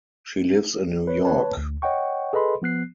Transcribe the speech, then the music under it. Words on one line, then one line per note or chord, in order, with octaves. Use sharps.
She lives in New York.
B4 C#5
B4 C#5 A5
D2
C#5 D#5 F#5 G5 C#6
G#4 A4 B4 D#5 B5 C6
F3 B3 F#6 C7